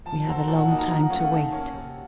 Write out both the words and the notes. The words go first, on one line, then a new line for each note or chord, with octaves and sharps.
We have a long time to wait.
F3 A5
C4 F#4 A4 A#5
A#2 A5
F#5
F#3 A#3 D#4 A5
A#5
F3
F#5
A3 C#4 F5
F#5
D#3 A5
A#3 C#4
C3